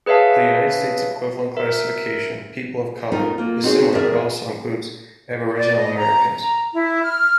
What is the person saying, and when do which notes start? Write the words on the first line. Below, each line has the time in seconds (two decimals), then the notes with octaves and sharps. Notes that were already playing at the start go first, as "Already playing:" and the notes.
The United States' equivalent classification-"people of color"-is similar, but also includes Aboriginal Americans.
0.06 G#4 B4 C#5 E5 F5 A5
1.57 A#4 E5
3.12 A3 C4 D#4 F4 A#4
3.38 A#3 F4
3.64 C4 D#4 F#4 G#4 C#5
3.95 E2 A2 G#4 A#4 D5 E5
5.56 D5
5.76 D#5
5.97 A#5
6.39 A#5
6.74 E4
7.04 F6